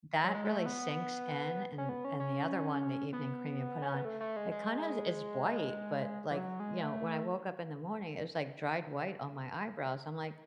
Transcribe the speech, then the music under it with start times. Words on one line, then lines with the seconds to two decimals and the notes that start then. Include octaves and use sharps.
that really sinks in and and the other one, the evening cream you put on, it kind of is bright but like, you know, when I woke up in the morning it was like dried white on my eyebrows. I'm like,
0.24 F#3
0.35 G#3
0.45 G#3
0.50 A3
0.66 B3
1.78 C#4
1.89 B3
2.05 C#4
2.20 C#4
3.13 B3
3.82 C#4
3.94 B3
4.05 A3
4.20 A3
4.36 G#3
4.51 G#3
6.31 E3
6.36 F#3
6.60 G#3
6.83 A3